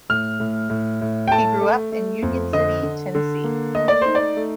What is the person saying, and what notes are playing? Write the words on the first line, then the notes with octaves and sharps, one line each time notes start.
He grew up in Union City, Tennessee.
A2 F6
A2
A2
A2
G5
A3 A5
A3
A3
F2
D3 D#5
D3
D3
A#3
A3 D#5
D5
D#4 C5
D5
A3